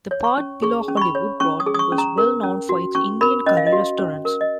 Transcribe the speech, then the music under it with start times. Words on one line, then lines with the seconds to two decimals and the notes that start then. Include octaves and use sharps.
The part below Hollywood Road was well known for its Indian curry restaurants.
0.11 C#5
0.24 C#6
0.38 C#4
0.62 G#4 C#6
0.88 C#4
0.97 C#6
1.01 B5
1.15 C#5
1.40 C#4 C#6
1.60 D#6
1.66 G#4
1.74 D#6
1.79 C#6
1.92 C#4
1.98 A#5
2.18 A#4
2.43 C#4
2.69 F#4
2.95 C#4 C#6
3.21 A#4 B5
3.46 C#4 D#5
3.57 F5
3.67 D#5
3.73 F#4
3.98 C#4
4.25 A#4
4.41 D#5